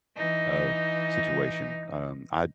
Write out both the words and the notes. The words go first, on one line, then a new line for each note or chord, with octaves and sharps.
uh, situation. Um, I
E3 D#4